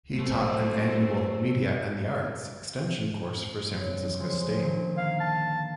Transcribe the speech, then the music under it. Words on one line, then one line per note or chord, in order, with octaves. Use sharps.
He taught an annual "Media and the Arts" extension course for San Francisco State.
G#2 F#3 G3 A3 C4
F#2
C#3 F3 G#3
A#2 D3 D#3
F5 A#5 G#6
A5